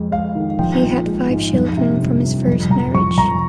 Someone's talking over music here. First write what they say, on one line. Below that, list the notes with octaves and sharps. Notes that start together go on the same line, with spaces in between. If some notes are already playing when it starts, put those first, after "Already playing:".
He had five children from his first marriage.
Already playing: F2 G#3
G#3 F5
D#3
F3 G5
A#1
G#3
G#2
F2
C3
G1
G1
F2
F2 A#5
F2 C#6
F2 A#5